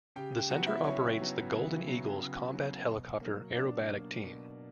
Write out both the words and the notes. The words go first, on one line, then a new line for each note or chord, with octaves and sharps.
The center operates the "Golden Eagles" combat helicopter aerobatic team.
C#3 G4 G5
G5
F#3 B3 F#4 F#5
E4 E5
C#3 C#4 C#5
F#3 B3
C#3
F#3 B3
C#3
F#3 B3
B2
F#3 A#3
B2 D4 D5
F#3 A#3
B2